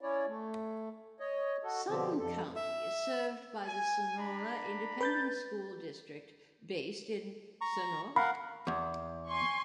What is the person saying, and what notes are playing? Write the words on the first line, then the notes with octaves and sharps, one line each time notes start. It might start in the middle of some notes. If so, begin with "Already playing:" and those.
Sutton County is served by the Sonora Independent School District based in Sonora.
C#4 E4 C#5 D5
A3
C#5 D#5
F#4 A4
B2 D3 F3 C4 G4
F2 A4
E5
G#5
D4 A#5 B5
B4 G6 A6
A#5 C#6
A#4 F5 F#5 B5
E2
G#5 C6 C#6